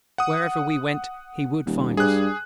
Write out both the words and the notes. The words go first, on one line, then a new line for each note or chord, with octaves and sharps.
Wherever we went, HE would find us.
F#5 D#6
D#1
G2 G#4 F#6